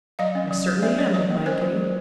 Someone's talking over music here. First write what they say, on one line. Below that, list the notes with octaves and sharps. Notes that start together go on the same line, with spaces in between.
"I certainly am," replied Kitty.
F#3 D#5 F5
C#4
F#3
F#3
C#4 D5 E5
F#3 C#5 D#5
F#3 C#5 D#5
A#3
C#4 A#4 C5
F#3
F#3